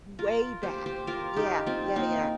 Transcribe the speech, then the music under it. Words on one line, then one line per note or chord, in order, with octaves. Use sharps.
Way back. Yeah. Yeah, yeah.
F4 A#4
G4 C5
G4 C5
F4 A#4
D#4 G4
C4 F4
A#3 D#4